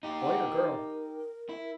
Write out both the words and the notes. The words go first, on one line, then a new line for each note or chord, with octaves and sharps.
"Boy or girl?"
D#4 G4
F#5
A#4
E4